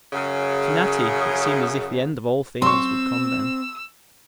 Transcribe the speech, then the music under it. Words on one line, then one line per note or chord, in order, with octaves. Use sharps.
To Natty it seemed as if the end of all things would come then.
F#2 C#3
C4 C6 C#6 E6